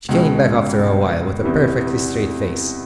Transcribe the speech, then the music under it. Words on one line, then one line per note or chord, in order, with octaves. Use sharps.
She came back after a while, with a perfectly straight face.
C#2 B2 G#3 C#4
E2 C3 E3